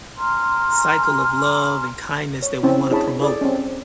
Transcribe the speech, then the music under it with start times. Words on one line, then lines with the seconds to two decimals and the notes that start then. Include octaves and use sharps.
cycle of love and kindness that we wanna promote.
0.17 G#5 A#5 C6 F6
2.42 C#5
2.63 C4 C#4 E4
2.91 D4 E4 G#4 C#5 A5 B5
3.22 G#4 A4 D5
3.41 C4 C#4